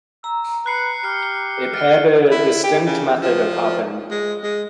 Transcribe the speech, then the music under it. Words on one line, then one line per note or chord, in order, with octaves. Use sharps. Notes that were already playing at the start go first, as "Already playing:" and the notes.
It had a distinct method of hopping.
A#5 E6
B4 F#6 C7 C#7
G4 F6 C#7
F6 A6
E4
G4
C#3
F3
G#3
G#3